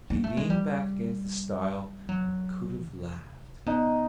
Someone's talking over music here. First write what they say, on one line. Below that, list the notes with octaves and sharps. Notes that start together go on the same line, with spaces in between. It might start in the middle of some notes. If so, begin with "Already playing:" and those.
He leaned back against the stile and could have laughed.
A#3
A3
G#3
G3
F#3
C3
B2 D#4